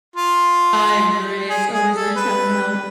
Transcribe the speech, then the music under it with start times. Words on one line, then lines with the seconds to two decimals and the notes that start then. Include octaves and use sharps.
I agree, it's always nice having help.
0.16 F4
1.50 G#4
1.72 G#4
1.95 A4
2.17 B4